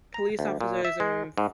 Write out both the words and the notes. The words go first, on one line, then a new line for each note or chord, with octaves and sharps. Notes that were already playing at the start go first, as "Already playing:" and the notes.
police officers and f,
A#5
D2
A#2
E5
G#3
G#2